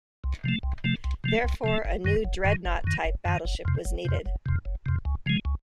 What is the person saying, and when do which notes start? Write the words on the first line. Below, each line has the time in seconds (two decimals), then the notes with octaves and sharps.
Therefore, a new dreadnought-type battleship was needed.
0.24 C2
0.44 C3 F3 A3
0.63 C2
0.84 C3 F3 A3
1.04 C2
1.24 C3 F3 A3
1.44 C2
1.64 C3 F3 A3
1.85 F#1
2.04 F#2 D#3
2.24 F#1
2.44 F#2 D#3
2.65 F#1
2.84 F#2 D#3
3.05 F#1
3.25 F#2 D#3
3.45 F#1
3.65 F2 C3
3.85 F#1
4.05 F2 C3
4.26 F#1
4.46 F2 C3
4.65 F#1
4.86 F2 C3
5.05 C#2
5.26 C#3 F3 G#3
5.45 C#2